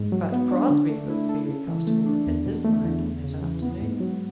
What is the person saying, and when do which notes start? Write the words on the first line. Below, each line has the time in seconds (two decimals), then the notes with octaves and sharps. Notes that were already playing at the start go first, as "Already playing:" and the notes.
But Crosbie was very comfortable in his mind on that afternoon.
Already playing: G#2
0.12 F#3
0.32 B3
0.51 D4
0.70 D3
0.89 A3
1.10 E4
1.29 A4
1.49 C#3
1.68 E3
1.87 A3
2.06 D4
2.27 E2
2.45 B2
2.64 A3
2.84 E2
3.03 E2
3.24 C#3
3.43 E3
3.62 B3
3.82 G#2
4.00 F#3